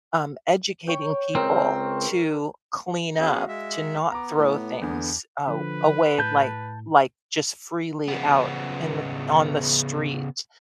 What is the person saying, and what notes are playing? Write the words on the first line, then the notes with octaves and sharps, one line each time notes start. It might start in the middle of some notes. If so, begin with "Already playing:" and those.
um, educating people to clean up, to not throw things, a away, like like just freely out in the on the street,
C#5 G5
C#2 C4 A#4
B3 C#4 F#4 G#4 F5
G#3 E5
B3 A#5 D6
A2
E2 D3
D3 F3 B4
A2 A5 G6
C#3 B3